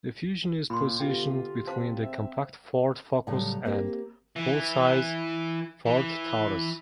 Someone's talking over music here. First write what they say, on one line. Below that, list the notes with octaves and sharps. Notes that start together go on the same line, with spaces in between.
The Fusion is positioned between the compact Ford Focus and full-size Ford Taurus.
A#2 B5 C6
B2 D3 F4 G4 G5
C4 C5 F5 A5
E5
A2 C#3 F#3 G3
A#3 C4 G4
E3
E3